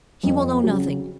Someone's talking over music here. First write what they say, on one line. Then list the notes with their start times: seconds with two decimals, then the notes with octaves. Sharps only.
"He will know nothing."
0.23 F2
0.64 C#3 F#3